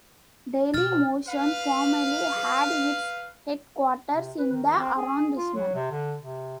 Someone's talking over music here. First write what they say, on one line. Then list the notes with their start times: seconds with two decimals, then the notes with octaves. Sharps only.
Dailymotion formerly had its headquarters in the arrondissement.
0.74 B2 F6 A6
1.28 B4 F5
4.14 C3
4.38 B4
4.52 D#3
4.77 C4
4.97 G#4
5.37 F4
5.55 F#3
5.74 C3
5.91 D3
6.20 C3